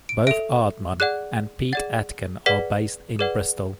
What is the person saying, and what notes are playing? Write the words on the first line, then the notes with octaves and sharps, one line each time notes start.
Both Aardman and Pete Atkin are based in Bristol.
D7
A4 E5 D7
G#4 D5 F#5 F#6
G#4 D5 F#5 A6
G#4 B4 D5 F#5 B6
G#4 B4 D5 F#5